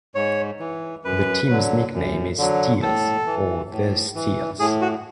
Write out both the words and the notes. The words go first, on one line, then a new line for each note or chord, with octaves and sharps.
The team's nickname is "Steels" or "The Steels".
G#2 C#5
E3
F#2 B4
D3 F#3
F#2
D3 F#3
A2 A4
E3
A2
E3
A2 G#4
F#4